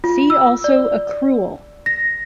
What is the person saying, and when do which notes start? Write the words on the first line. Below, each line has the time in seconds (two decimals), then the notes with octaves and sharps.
See also accrual.
0.04 F4
0.30 E6
0.64 D5
1.86 A#6